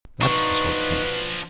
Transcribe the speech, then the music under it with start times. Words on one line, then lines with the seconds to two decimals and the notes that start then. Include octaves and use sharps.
That's the sort of thing!'
0.21 F3 D4 D#4 F4 F#4 B4 C#6